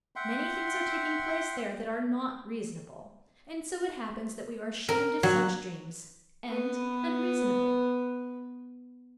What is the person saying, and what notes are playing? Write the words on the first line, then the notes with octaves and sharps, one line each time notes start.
Many things are taking place there that are not reasonable, and so it happens that we are ashamed of such dreams, and unreasonably.
E5 F#5 G5 C6
A#4
F#3
B3 B4